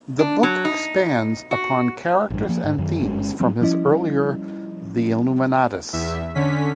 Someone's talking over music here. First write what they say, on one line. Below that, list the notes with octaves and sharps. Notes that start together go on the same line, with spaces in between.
The book expands upon characters and themes from his earlier The Illuminatus!
D4
F#3
D#4
F#4
A1 G2
F3 A#3
G#2
F#2 D#3
G1 G#3 C#4
F#3 G3 C4
F3 G3 C#4 E4 D#5
E2 E5
D3 C#4 B6